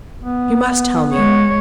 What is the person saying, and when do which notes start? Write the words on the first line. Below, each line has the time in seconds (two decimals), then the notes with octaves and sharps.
You must tell me.
0.20 B3
1.13 G#3 C#5